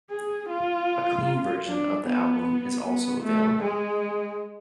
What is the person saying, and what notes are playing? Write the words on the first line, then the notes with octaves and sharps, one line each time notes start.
A clean version of the album is also available.
G#4
F4
D4
B3
B3
A3
G#3